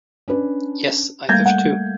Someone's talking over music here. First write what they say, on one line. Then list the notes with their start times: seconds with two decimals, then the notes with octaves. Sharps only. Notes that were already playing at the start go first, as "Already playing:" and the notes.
Yes, I have two.
0.28 C#4 D4 B4
1.29 G3 A3 A#3 F5 G6 G#6
1.46 F#5